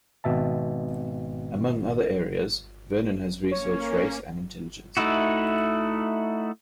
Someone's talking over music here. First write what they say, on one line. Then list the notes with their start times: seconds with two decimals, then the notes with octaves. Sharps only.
Among other areas, Vernon has researched race and intelligence.
0.24 G#1 B2 E5 A5
3.51 A#3 C#4 C#5
4.97 A3 D#4 E4 F#4